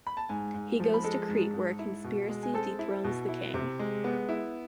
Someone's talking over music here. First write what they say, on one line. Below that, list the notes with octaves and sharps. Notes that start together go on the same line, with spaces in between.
He goes to Crete where a conspiracy dethrones the king.
B5
A5
G#2 G#5
G#2
F3
B5
G#3 A4 A5
G#2
G#2
E4
B2
G#3
G#5
C4 A4 A5
E4
B2
E4
C3
G#3
B3
E4